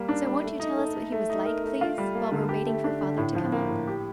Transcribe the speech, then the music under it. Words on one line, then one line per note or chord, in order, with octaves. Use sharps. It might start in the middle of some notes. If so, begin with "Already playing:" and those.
So won't you tell us what he was like, please, while we're waiting for father to come up?
Already playing: G3 A#3
D4
G3
A3
D#4
A4
A3
A3
D#4
A#4
A3
F4
G3
A#3
D3
G4
A3
D4
D3
A2
F3
A#3
A2
G4